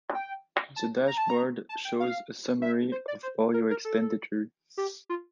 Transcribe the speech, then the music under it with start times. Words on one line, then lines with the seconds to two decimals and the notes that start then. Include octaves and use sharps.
The dashboard shows a summary of all your expenditure.
0.14 G5
0.76 A5
1.07 A#5
1.18 A5
1.29 A#5
1.69 A5
1.85 G5
2.00 F5
2.62 E5
2.92 C5
3.08 D5
3.23 C5
3.54 A#4
3.70 A#4
3.85 A4
4.77 G4
5.09 F4